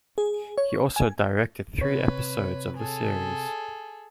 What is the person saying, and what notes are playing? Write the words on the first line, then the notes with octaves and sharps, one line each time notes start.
He also directed three episodes of the series.
G#4
C#5
G#5
C3 B4 C#5
G#4 A4